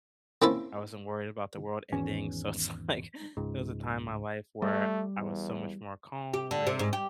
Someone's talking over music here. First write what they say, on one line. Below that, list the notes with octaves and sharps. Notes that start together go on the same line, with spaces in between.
I wasn't worried about the world ending so, it's, like it was a time in my life where I was so much more calm and,
A#3 C4 C#4 E4 E5 A5
G#1 E2 C#4
C#2 G#2
G3 A3
E2
G4
D3
C3
G#2
G4